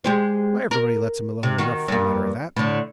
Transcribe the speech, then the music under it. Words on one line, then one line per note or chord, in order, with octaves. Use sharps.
'Why everybody lets him alone enough, for the matter of that.
G#3 G4 C5
A#4
C3
D#3 F#4
G2 A#3
A2 D3